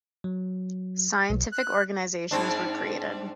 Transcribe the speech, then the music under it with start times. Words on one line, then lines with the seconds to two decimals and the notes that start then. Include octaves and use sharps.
Scientific organisations were created.
0.24 F#3
1.30 B1
1.52 F#6
2.31 G#2 C4 D4